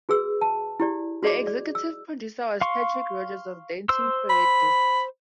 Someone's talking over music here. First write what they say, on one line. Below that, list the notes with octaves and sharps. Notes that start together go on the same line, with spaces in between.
The executive producer was Patrick Rodgers of Dancing Ferret Discs.
F#4 G#4 B4 E6
A5
E4 G4 D5
F#4 G#4 D5 D#5 D6
D5
E6
F5 C6 C#6
C5 C6 E6
B5